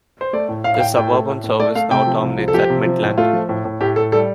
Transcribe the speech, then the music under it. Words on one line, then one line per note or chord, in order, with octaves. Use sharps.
The suburban service now terminates at Midland.
C5
A3 D5
A2
A2 F5
F5
A2 G5
A2 G5
A3
A2
A2
A3 D5
A3 F5
C3 G5
F3
C2
F3
A4
F3 G4
C3
F3
A2
A3 F4
F3
A2
A2
A2 G4
A2 A4
G3 A4